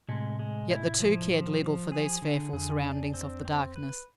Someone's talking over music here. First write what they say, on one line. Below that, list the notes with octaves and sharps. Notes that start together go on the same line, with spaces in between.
Yet the two cared little for these fearful surroundings of the darkness.
A2 C3 G#3
G#3
E4
F3
F3
F3
G#4
D3
F2 G#4
D4
C4
C4
B4